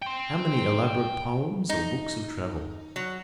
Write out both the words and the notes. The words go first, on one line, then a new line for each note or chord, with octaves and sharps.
How many elaborate poems or books of travel?
G5 C6
D#4
F#3